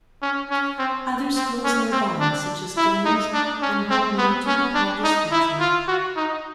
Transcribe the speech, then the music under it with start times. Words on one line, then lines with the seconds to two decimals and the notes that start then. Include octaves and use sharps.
Other schools nearby, such as Gaynes and Hall Mead do not have this feature.
0.22 C#4
0.50 C#4
0.79 C4
1.35 C4
1.64 C#4
1.92 C4
2.20 D4
2.77 E4
3.05 D#4
3.33 D4
3.62 C#4
3.90 C4
4.18 B3
4.46 C#4
4.74 D4
5.03 D#4
5.31 E4
5.60 F4
5.88 F#4
6.16 D#4